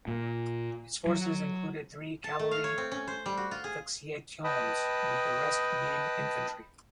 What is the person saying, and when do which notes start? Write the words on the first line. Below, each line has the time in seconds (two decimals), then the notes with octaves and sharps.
His forces included three cavalry "vexillationes" with the rest being infantry.
0.08 A#2
1.07 F#3
2.24 A5
2.39 A3
2.51 F5
2.64 C#5
2.78 C4
2.92 C#4
3.08 C5
3.26 G3
3.37 F#4
3.51 F4
3.64 G#4
4.44 B4 D#5 G5 A5 B5 D#6